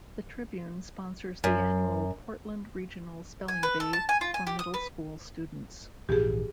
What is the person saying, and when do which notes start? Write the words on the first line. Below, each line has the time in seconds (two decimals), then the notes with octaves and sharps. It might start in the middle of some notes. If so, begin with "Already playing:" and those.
The "Tribune" sponsors the annual Portland Regional Spelling Bee for middle school students.
1.44 F#2
3.48 G#5
3.63 B4
3.80 A4
3.93 A5
4.09 G#5
4.21 F4
4.34 G#5
4.47 G4
4.59 D#6
4.74 B4
6.09 A#1 G#2 E3 G4 G#4